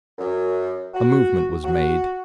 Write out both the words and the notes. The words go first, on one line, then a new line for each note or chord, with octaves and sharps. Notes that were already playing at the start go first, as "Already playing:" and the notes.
A movement was made.
F#2
F#4
F#4